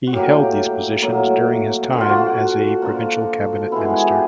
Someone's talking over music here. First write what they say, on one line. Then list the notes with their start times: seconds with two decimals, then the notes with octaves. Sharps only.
He held these positions during his time as a provincial cabinet minister.
0.07 F#4
0.13 A2 F#3 A#3 G4
1.02 A2 F#3 A#3
1.92 D3 F3 A#3 F#4
2.01 F4
2.09 F#4
2.82 D3 F3 A#3
3.72 E3 G#3 B3 E4
3.96 G#4
4.07 G4